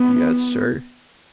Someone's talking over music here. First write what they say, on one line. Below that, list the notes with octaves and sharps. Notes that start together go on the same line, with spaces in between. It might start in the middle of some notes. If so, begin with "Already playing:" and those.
"Yes, sir."
Already playing: B3